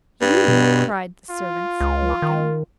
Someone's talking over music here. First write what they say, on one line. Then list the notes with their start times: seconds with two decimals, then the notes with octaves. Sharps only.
"You!" cried the servants mocking.
0.21 G2
0.48 B2
1.30 F4
1.81 C#2
2.22 D#3